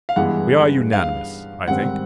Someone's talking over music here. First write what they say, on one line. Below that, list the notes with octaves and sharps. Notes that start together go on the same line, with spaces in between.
We are unanimous, I think.
F5
G2 E3 G#3 B3 F#5
F5
G#2 D#3 G3 C4 F#5